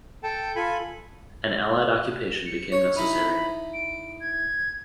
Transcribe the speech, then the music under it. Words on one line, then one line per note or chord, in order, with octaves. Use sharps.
An Allied Occupation became necessary.
A4 G5 A5
F4 A4 G#5 B5
C#7
C#5
D#4 E4 B5
D7
G#6